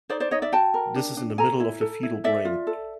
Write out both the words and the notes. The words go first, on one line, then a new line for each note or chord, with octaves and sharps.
This is in the middle of the fetal brain.
D#4 C5 D5
C5 D5
D#4 C#5 D#5
D5 E5
F#4 G5 A5
A#4
D4
D4
A4 G#5 A#5
E4
A4
E4
A4 D5 E5
F4
A4